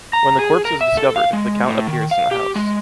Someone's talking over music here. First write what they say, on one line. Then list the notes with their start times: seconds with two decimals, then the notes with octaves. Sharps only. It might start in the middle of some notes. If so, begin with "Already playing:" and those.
When the corpse is discovered, the Count appears in the house.
0.13 A#5
0.39 G#4
0.65 A#4
0.81 E5
0.97 A4
1.16 F5
1.33 G#3
1.68 A2
1.87 D#3
2.11 F5
2.31 G4
2.56 G#3